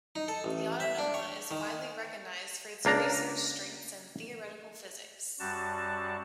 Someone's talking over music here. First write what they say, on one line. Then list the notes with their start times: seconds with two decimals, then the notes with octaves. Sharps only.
The Autonoma is widely recognised for its research strengths in theoretical physics.
0.16 D#4
0.28 A4
0.44 A1
0.80 E5
0.99 D4
1.14 C#5
1.51 D#3
2.85 C#2 A#3 D4 A#5
5.40 F#2 G3 F#4 A5